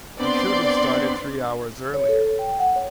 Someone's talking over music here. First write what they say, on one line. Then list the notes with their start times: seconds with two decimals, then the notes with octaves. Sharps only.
He should have started three hours earlier.
0.20 B3 C4 D4 D5 C6
1.94 C#5
2.09 A4
2.39 G5
2.59 F#5
2.76 C#5